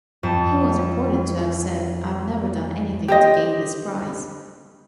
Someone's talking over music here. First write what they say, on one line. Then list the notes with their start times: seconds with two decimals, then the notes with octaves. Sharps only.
He was reported to have said, I've never done anything to gain this prize.
0.23 F2 A5 A6
3.08 G4 C5 D#5